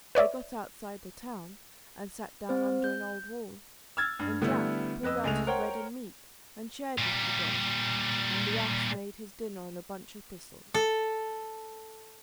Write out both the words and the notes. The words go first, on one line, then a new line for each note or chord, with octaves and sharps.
They got outside the town, and sat down under an old wall, and Jack pulled out his bread and meat, and shared with the dog; and the ass made his dinner on a bunch of thistles.
B4 C#5 D5 E5
C4 C5
G6
E6 F6 G#6 A6
G2
D3 G3 A3 B3 E4
F2 B4 D#5 E6
C#2 G#3 A3 F7
A#4 C5 C#5 F#5 G5
A#2 G3
A4